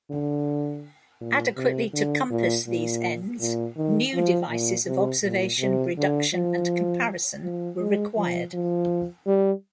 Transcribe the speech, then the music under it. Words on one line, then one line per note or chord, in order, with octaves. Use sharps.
Adequately to compass these ends, new devices of observation, reduction, and comparison were required.
D3
A#2
C3
D3
A#2
A#2
A#2
D#3
F3
A#2
C3
A#2
C3
D3
F3
F3
G#3
F3
F3
G3